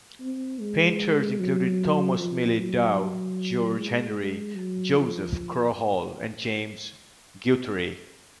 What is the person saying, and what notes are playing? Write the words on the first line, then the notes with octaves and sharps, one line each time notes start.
Painters included Thomas Millie Dow, George Henry, Joseph Crawhall and James Guthrie.
C4
G#3
F#3
F3
F#3
G#3
F#3
F3